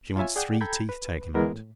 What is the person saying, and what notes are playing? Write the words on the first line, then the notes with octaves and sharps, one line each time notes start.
She wants three teeth taken out.
F4 C#5 E5 G#5
G#4 D5 F#5 G5
A4 G5 A#5 B5 G6 G#6
B4
E3 G#3 B3 E4 G#4 A#4
A2